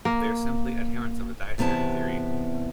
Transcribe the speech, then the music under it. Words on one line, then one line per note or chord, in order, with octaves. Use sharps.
They are simply adherents of a dietary theory.
A#3
E2 C3 B3 E4 A5